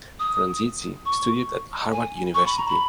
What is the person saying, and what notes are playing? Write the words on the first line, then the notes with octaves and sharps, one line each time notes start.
Frondizi studied at Harvard University.
D#6
C#6
G#5
C#6
B5
A#5
B5